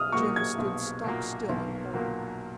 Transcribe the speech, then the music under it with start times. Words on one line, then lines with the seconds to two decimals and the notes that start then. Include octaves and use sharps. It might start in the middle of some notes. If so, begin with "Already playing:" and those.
Jim stood stock still in horror.
Already playing: B1 D#6 F6
0.12 A#2 F#3 A#3 C#6
0.36 G#6
0.58 B1
1.04 A#2 F#3 A#3
1.49 B1
1.94 A#2 F#3 A#3